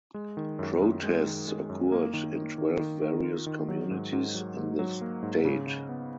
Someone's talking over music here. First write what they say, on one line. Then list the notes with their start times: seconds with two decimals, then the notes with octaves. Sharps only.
Protests occurred in twelve various communities in the state.
0.14 G#3
0.37 D#3
0.59 F#2
0.82 F#2
1.03 G#3
1.26 D#3
1.48 G#3
1.69 F#2
1.92 A#3
2.13 D#3
2.36 D#3
2.58 D#3
2.79 D#3
3.02 D#3
3.24 F4
3.46 D#3
3.68 F#3
3.91 G#2
4.13 G#2
4.35 F#3
4.57 G#2
4.79 F#3
5.01 A#3
5.23 G#2
5.45 C#3
5.67 C#3
5.89 B3